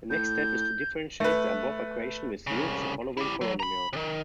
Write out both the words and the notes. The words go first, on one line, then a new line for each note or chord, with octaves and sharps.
The next step is to differentiate the above equation which yields the following polynomial.
A2 G6
A3 B4
C2 C#3
E4 G4
F#3
A#5 B5
C3 D#3